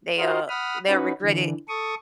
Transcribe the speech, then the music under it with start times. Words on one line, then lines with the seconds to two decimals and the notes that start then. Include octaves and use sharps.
they'll they'll regret it
0.19 F4 F#4 A#4 C5 D#5 F5
0.49 F#5 B5 D#6 F6
0.87 C#4 D#4 F#4 B4
1.22 D3 E3
1.68 A4 C#6 D#6